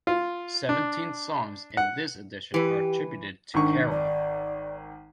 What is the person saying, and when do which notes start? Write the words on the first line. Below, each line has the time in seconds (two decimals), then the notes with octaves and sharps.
Seventeen songs in this edition are attributed to Carrell.
0.07 F4
0.69 D4
1.77 F#5
2.54 E3 G4 B4
3.54 G#1 D#3 D4 C#6
3.90 D5